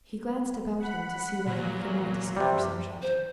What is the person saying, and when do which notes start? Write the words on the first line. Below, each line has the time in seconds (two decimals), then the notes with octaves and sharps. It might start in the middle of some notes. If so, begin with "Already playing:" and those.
He glanced about him, to see whether he could not discover some shelter.
0.80 F#5 B5 F#6
1.46 B1 E2 A#2 F#3 A#6
2.37 F#2 C3 G3
3.02 C5